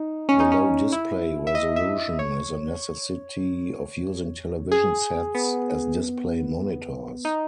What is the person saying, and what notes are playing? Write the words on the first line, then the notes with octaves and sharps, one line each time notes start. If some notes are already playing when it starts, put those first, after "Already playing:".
The low display resolution is a necessity of using television sets as display monitors.
Already playing: D#4
C#4
D#4
C#4
E4
E5
D#5
E5
C#5
G#4
B3
D#4